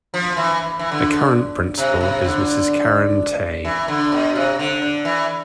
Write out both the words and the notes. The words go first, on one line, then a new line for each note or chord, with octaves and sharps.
The current principal is Mrs Karen Tay.
F3
E3
E3
D3
C3
C3
D3
E3
D3
B2
C3
D3
D3
E3